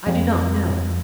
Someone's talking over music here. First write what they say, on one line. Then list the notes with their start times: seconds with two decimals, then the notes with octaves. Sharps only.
"I do not know."
0.07 F2